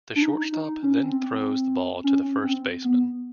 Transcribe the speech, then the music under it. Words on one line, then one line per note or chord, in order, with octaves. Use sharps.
The shortstop then throws the ball to the first baseman.
D4
D#4
D#4
C#4
C4
C4
C#4
C#4
C4
B3